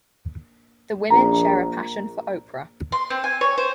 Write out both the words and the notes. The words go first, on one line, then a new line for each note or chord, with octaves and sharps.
The women share a passion for Oprah.
A#1 A#5
C6
C4
G#5
C#5
C5